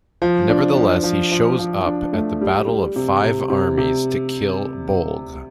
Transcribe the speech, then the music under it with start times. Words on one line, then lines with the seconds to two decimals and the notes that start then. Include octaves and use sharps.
Nevertheless, he still shows up at the Battle of Five Armies to kill Bolg.
0.22 F3
0.49 D4
0.77 F3
1.03 F3
1.32 F3
1.59 F3
1.86 D4
2.13 A3
2.41 G3
2.67 G3
2.96 C3
3.23 C3
3.50 C3
3.78 C3